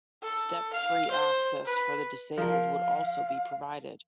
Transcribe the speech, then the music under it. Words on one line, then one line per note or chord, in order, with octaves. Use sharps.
Step-free access for the disabled would also be provided.
A4
F5
C5
B4
F3 A#4 F5